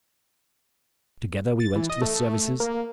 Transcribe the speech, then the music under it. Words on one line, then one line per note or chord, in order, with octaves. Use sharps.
Together we went to the services.
A6
E3
D#5
A3
A3
A#3